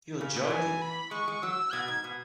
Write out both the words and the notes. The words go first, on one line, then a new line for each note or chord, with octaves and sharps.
You're joking!.
C#3
B2
E3 G#5
B5
G#3 C#6
G#3
F#3 E6
B2 G#6
G#2
B2